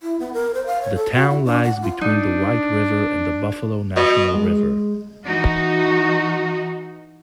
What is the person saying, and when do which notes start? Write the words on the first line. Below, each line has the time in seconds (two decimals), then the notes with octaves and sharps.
The town lies between the White River and the Buffalo National River.
0.03 E4
0.20 B3
0.33 A#4
0.54 C5
0.66 F5
0.82 C#5
0.96 A4
1.13 F#4
1.30 E4
1.45 D4
1.64 F#5
1.82 F4
2.01 D4 D#4
3.97 B2 D#5
4.34 G#3
5.25 E3 D#4 F#4